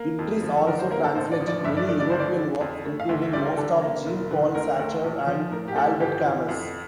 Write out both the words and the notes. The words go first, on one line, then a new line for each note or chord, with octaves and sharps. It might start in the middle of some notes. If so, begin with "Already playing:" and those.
Idriss also translated many European works, including most of Jean-Paul Sartre and Albert Camus.
Already playing: A#3
F2
F3
A4
D3 A#4
C5
A#3 A#4
A4
A1 C5
D5
F3
D5
G2 E5
D5
A3 D5
D5
G1 C5
D5
D3
F2
A3
F5
D2 E5
E5
G3 D5
A#4
D3 A4
A#3
E1
D3
D2 A#4
A3
A#1
F3
A2 A#4
G4
A3 A4
G4
G1 G4
E3
F2